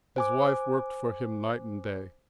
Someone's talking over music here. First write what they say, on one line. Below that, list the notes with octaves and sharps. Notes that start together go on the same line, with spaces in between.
His wife worked for him night and day.
C5 G#5 D6